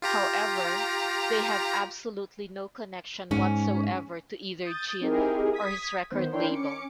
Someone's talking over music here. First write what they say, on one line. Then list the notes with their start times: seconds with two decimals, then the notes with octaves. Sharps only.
However, they have absolutely no connection whatsoever to either Ginn or his record label.
0.02 F4 G4 A#5
3.31 G#2 C#4
4.64 D#6 G6 A6
5.01 C4 D#4 E4 G4 G#4 A#4
5.53 D#6 G#6 B6
6.11 D#3 B3 C5
6.32 D4 E4 A#4 C#5 G5 C6
6.50 C#4 D6 C#7